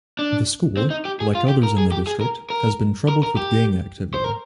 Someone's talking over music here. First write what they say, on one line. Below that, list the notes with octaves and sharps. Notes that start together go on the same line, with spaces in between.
The school, like others in the district, has been troubled by gang activity.
D4
C4
D#4
G4
G#4
F4
G4
A#4
G#4
G4
G#4
A#4
A#4
A#4
A#4
G4
C5
A#4